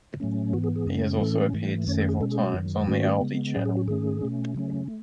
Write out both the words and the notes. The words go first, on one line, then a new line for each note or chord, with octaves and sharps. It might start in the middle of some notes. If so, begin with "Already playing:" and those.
He has also appeared several times on the Audi Channel.
A2 F#3 A3 C#4
G#2 E3 B3 F#4
G#4
G#4
F#2 C#3 G#3 C#4
A2 E3 A3 C#4 A4
G#2 E3 A3
F#2 D#3 A3 C#4 C#5
A4
G#4
B2 G#3 C#4 A4
G#4
F#4
F#2 D#3 F#3
G#2 D#3 A3 C#4 F#4
C#3 G#3 B3
A2 F#3 C#4 G#4
G#4
F#4
G#2 D#3 A3 C#4 G#4
B2 A3 C#4
C#3 F#3 A3 C#4
A3